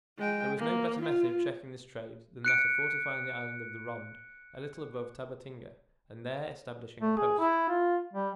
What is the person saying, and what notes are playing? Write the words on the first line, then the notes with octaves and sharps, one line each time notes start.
There was no better method of checking this trade than that of fortifying the Island of the Ronde, a little above Tabatinga, and there establishing a post.
G#3 G5
A#3
F4
F#6 C#7 D7
A3
G#4
E4
F4
G3